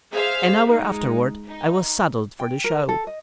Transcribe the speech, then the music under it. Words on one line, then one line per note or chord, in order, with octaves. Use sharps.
An hour afterward I was saddled for the show.
G#4 C5 E5 F5
G#3 D#4
D#4
G5
A#4
A4
D#5